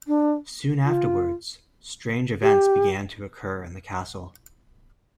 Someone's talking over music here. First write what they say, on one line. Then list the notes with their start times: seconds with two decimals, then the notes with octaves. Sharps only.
Soon afterwards, strange events began to occur in the castle.
0.07 D4
0.85 F4
2.42 G4